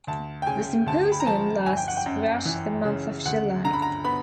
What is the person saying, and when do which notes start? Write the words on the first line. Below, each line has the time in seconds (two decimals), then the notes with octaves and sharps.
The symposium lasts throughout the month of July.
0.07 D2 A5
0.42 G5
0.47 C#3 G#5
0.86 D2 A5
1.12 B5
1.20 A#5
1.26 F3 A5
1.66 G1 G#5
1.77 G5
1.88 F#5
1.97 G5
2.06 F#2
2.45 E3
2.85 C#3
3.25 D2 F#5
3.65 D3 A#5
3.73 B5
3.82 A#5
4.04 B3 B5